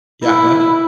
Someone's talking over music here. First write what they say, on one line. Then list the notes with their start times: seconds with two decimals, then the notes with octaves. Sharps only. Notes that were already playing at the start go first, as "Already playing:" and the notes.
Yeah, go ahead.
0.24 E4